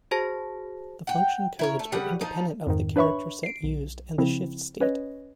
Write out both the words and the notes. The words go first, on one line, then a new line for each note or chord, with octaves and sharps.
The function codes were independent of the character set used and the shift state.
F#4 G#4 C5 A5 A#6
F#5 G5
E4 A#4 C#5
A3
C#3 G3 B4 F#5
F3 D#4
F2 G#2 D#3
D4 B4 C#5 E5 B5 C#6
C7 D7
B1
C#3 F3 C4 E4
C#4 B4 C#5 D#5